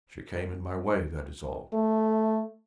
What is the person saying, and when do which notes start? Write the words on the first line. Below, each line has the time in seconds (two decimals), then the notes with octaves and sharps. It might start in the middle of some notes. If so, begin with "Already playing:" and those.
She came in my way, that is all.
1.73 A3